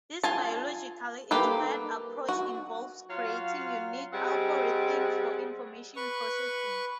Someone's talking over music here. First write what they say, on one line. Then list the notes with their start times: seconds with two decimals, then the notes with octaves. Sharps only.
This biologically inspired approach involves creating unique algorithms for information processing.
0.23 F4 G#5 A5
1.31 A#3 G4 A4 B4
2.29 F#4
3.10 F#3 F4 F5
4.13 G3 C4 G#4 D#5 F#5
5.96 B4 C#6